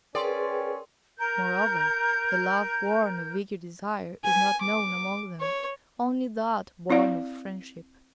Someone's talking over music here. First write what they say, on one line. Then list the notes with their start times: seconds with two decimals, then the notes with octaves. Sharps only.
Moreover, the love born of eager desire is not known among them; only that born of friendship.
0.15 C#4 G#4 A#4 B4 D5 G5 C6
1.19 A#4 G6
4.24 G#5
4.61 D6
5.40 C#5
6.90 C4 E4 D5 F5